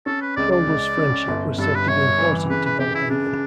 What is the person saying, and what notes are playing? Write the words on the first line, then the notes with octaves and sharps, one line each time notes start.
Crodel's friendship was said to be important to Bollhagen.
C#4 A4
B4
C#2 D5
D5
C#2
C#4
G1
G2 A4
B4
G1 C#5
E3
C#3 B4
B4
C#3 G4
E4
C#3 D4